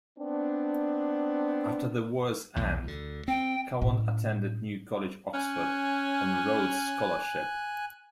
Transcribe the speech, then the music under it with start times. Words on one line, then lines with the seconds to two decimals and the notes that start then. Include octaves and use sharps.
After the war's end, Cowen attended New College, Oxford, on a Rhodes Scholarship.
0.19 B3 C4 D4
2.56 B1 E2
2.83 D2 D3
3.28 C4 G5
3.82 A2 C#4
5.34 C#4 G#5 F#6